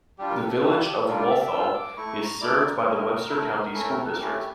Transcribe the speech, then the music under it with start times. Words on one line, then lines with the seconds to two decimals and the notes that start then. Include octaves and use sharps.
The Village of Walthall is served by the Webster County School District.
0.18 G3 D4 F4 G4
0.31 A#4
0.42 A4
0.63 G3 D4 F4 G4
0.79 G4
0.93 A4
1.08 G3 D4 F4 A#4
1.19 D5
1.29 E5
1.41 D6
1.52 G3 D4 F4 E6
1.74 D6
1.97 A3 E4 C#6
2.20 A#5
2.41 A3 E4 D5
2.63 A#4
2.86 A3 E4
3.30 A3 E4
3.74 A3 C#4 E4 A4
3.86 A#4
3.97 A4
4.08 A#4
4.19 A3 C#4 E4 G4